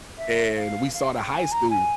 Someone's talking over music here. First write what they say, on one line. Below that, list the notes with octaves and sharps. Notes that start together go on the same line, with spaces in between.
and we saw the high school,
E5
F5
F5
G5
G#5
A#5
G#5